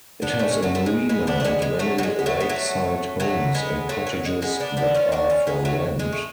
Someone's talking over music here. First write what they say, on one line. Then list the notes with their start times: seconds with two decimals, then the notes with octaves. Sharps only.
It has a marina and many lakeside homes and cottages that are for rent.
0.22 B3 D4
0.39 A3 C#4
0.51 G#3
0.63 F#3 A3
0.75 A3
0.86 G#3
1.09 G#3 B3
1.27 B3 D4
1.40 A3
1.45 G#3 B3
1.62 G#3
1.79 F#3 A3
1.98 F#3
2.03 G#3
2.19 B3
2.26 F#3 A3
2.40 B3
2.49 F#3 A3
3.20 F#3 A3
3.55 G#3 B3
3.89 F#3 A3
4.07 F#3
4.25 G#3
4.42 G#3 B3
4.60 B3 D4
4.77 B3 D4
4.94 C#4 F4
5.12 D4 F#4
5.30 C#4 F4
5.47 G#3 B3
5.65 F#3 A3
5.99 G#3
6.12 A3